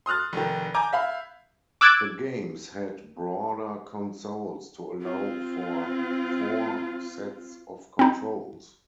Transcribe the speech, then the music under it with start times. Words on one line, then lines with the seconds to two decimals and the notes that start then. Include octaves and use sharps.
The games had broader consoles to allow for four sets of controls.
0.06 C6 D#6 F6 F#6 A6
0.33 F1 D#3
0.74 G#5 A#5 D6 G6 G#6
0.93 E5 F5 B5
1.81 D6 E6 F#6 G#6 A6 D7
5.02 C4 F4
7.99 C4 D#4